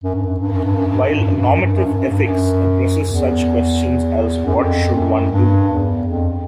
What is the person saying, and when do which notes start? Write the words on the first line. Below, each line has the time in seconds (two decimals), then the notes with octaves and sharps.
While normative ethics addresses such questions as What should one do?
0.04 F#2
0.15 G2
0.27 F#2
0.39 G2
0.52 F#2
0.64 G2
0.76 F#2
0.88 G2
1.01 F#2
1.13 G2
1.25 F#2
1.37 G2
1.49 F#2
1.62 G2
1.75 F#2
1.86 G2
1.98 F#2
2.11 G2
2.23 F#2
3.06 E2
4.46 F#2
4.56 F2
4.94 F#2
5.32 G2
5.70 E2
6.07 F2